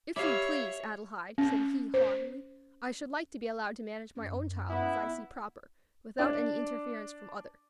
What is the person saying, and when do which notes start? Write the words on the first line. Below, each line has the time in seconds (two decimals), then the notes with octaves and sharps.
"If you please, Adelaide," said he haughtily, "I should like to be allowed to manage my own child as I see proper, without any interference from others."
0.16 E4 G4 C#5 E5 F5 D6
1.38 C#4
1.94 C5
4.17 F#2
4.69 B3 E4
6.19 D4